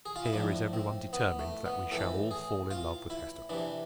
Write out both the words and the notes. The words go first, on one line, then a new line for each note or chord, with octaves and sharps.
Here is everybody determined that we shall all fall in love with Hester.
G#4
F4
E4
A2 F3 D4
C4
B3
A3
B3
A2 E3 A4
G#4
F4
E4
C3 E3 D4